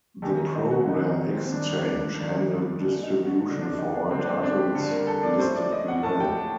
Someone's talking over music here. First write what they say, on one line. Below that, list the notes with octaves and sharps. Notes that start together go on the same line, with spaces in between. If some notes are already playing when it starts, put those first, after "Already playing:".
The Program Exchange handled distribution for all titles listed below.
F#2 D#3 G4
D#4
F#4
F#2 D#3 D#4
D#4
C4
C4
G2 D#3 D4
D4
G2 D#3
F#2 D3
D#4
F#4
F#2 D3
D4
D#4
D4
G2 D3 C4 D4
C4
D4
G4
G2 D3 A4
A#4
A4
D5
A2 C5
D5
D#5
F#5
A2 A5
G5
A5